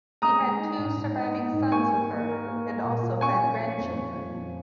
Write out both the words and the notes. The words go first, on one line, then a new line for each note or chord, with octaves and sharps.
He had two surviving sons with her and also had grandchildren.
G#3 A#5 D#6
G#3
D#4
G#2
G#2
D#4
D#4
G#2
A#3 G#5 C#6
A#3
A#3
A#4
A#3
A#3
A#2
F4
C#4 G#5 C#6
F3
C#4
F2
F2
F2
F3